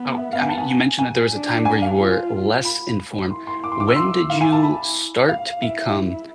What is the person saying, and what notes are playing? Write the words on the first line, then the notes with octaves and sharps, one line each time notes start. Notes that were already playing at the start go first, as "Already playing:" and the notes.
Oh, I mean, you mentioned that there was a time where you were less informed. When did you start to become,
Already playing: B3
E5
B3 F5
G#5
A5
G#5
G#5
D4
G#5
F5
F4
B5
E4 C6
C6
D6
C6
D6
E6
C6
E4 F5
G#5
A5
B5
F5
E4 E5